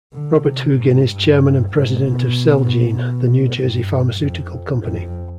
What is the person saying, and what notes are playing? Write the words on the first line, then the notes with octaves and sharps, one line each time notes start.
Robert Hugin is Chairman and President of Celgene, the New Jersey pharmaceutical company.
D3
C3
G#2
G2
G#2
B2
B2
B2
G2
F2
F2